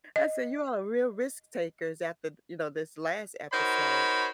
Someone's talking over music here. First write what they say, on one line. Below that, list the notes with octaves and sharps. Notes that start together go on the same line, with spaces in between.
I said "You are real risk takers after, you know, this last episode."
D#5
D#4 F#4 A#4 C5 C#5 B5